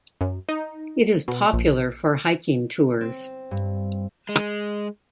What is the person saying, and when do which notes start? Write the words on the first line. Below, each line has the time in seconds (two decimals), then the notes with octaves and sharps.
It is popular for hiking tours.
0.21 F#2
0.49 D#4
1.28 B2
1.53 A#1
3.01 C4
3.51 G2
4.29 G#3